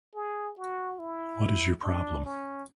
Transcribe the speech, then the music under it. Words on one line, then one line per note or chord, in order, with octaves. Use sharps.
What is your problem?
G#4
F#4
E4
D4
C#4